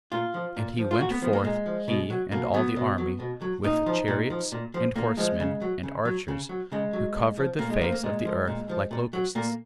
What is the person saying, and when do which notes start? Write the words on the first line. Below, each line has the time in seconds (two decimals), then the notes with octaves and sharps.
And he went forth he and all the army, with the chariots, and horsemen, and archers, who covered the face of the earth, like locusts.
0.12 A#2 F4
0.34 F3
0.56 A#2
0.78 F3
0.91 F4
1.00 A#2 F#4
1.11 B3
1.22 F3 B3
1.33 A#3
1.44 A#2 G#3
1.66 F3
1.88 B2
2.10 F#3
2.32 B2 A#3
2.54 F#3 B3
2.76 B2
2.98 F#3
3.20 B2
3.42 F#3
3.64 A#2 D#4
3.86 F3
4.08 A#2
4.30 F3
4.52 A#2
4.74 F3
4.96 A#2 A#3
5.17 F3 G#3
5.40 C#3
5.62 F#3
5.83 C#3
6.05 F#3
6.28 C#3
6.49 F#3
6.72 C#3 G#3
6.93 F#3
7.16 A#2
7.37 F3
7.59 A#2 A#3
7.70 G#3
7.81 F3 A#3
7.92 A#3
8.03 A#2 G#3
8.25 F3
8.47 A#2
8.69 F3
8.91 A#2
9.13 F#3
9.35 A#2 A#3